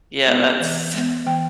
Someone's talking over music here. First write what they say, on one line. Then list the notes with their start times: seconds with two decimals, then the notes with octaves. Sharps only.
Yeah, that's
0.26 G#3 B3
0.60 E3
0.94 G#3 B3
1.27 E3 G5